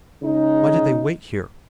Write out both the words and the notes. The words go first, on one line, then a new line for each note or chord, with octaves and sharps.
Why did they wait here?
C#3 G#3 D#4